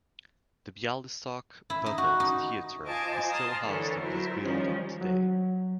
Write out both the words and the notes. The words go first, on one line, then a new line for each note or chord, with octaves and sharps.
The Bialystok Puppet Theatre is still housed in this building today.
E4
D#4
F#4
D#4
F4 C5 D#5 G#5 A5 D6
A5 A#5 C6 D#6 F6
D3 E3 A#3 A4 C#5
F#3 E4 A#4 C5
D#3 F3 G3 C#4
F#3